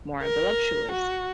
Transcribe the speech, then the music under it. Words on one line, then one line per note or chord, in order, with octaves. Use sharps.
more voluptuous,
A#4
F#4